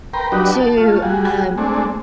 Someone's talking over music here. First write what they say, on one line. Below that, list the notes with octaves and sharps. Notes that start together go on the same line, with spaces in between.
to, um,
A#4 B4 G5 A#5 C6
F#3 D4 D#4 F#4 G4 B4
A5
A3 F4
G3 F#4 G#4
G#3 A3 C4 D4